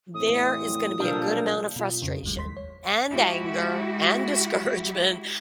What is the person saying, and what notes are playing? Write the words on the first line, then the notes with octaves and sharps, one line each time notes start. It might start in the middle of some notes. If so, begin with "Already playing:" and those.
there is gonna be a good amount of frustration and anger and discouragement,
E2 A2 E3 C4 D#6
B1 A#2 F3 G3 A#3 D4 A4
B2 F4
F2 C#3
G1 D#2 F#3 G#3
D#2 G3 C6 B6
C#5
G#3 E4 F#4 G4